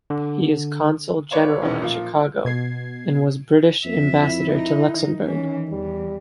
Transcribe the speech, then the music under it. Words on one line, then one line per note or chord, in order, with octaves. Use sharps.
He is Consul General at Chicago, and was British Ambassador to Luxembourg.
D3
B4 C#5 D5 F5
E1 A#1 D#3 E3 C#4
A#2 F3 F4
B2 G#6 C7
F2 E5
E4
D#4
D#3
E3 C#4
E2 G3